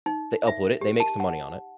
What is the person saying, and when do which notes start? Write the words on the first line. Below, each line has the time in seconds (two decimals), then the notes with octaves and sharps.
they upload it, they make some money on it.
0.06 D#4
0.47 E5
0.81 G4
1.00 A5
1.20 F#5